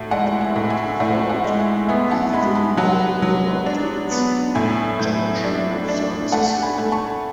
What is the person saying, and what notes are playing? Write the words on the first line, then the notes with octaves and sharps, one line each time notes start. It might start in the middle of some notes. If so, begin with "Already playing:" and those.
The party followed the Illinois River to its junction with the Mississippi.
Already playing: A2 F#4 A5
G#3 D5 F#5
E5 G#5
A2
E5 G#5
A2 D5 F#5
D5 F#5
G#3
E5 G#5
B3 E5 G#5
F#5 A5
G#3 G#5 B5
G#5 B5
F#3 F#5 A5
F#3
D4
B3
A2 E5 G#5
A2
D4
D4
A3 F#5 A5
G#5 B5
A3
A5 C#6